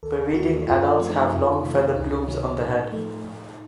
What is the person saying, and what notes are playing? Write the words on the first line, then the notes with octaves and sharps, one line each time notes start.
Breeding adults have long feather plumes on the head.
D#2 A4
D#3 A3 F#4
F#2 F4
C#4
F3 A3 C4
D#4
F4
F2 F4
D#4
C3 D#3 A3
F4
C#2 D#4
C#4
C3 D#3 F#3 D#4
C#4
A2 D#4
F3 A3
A2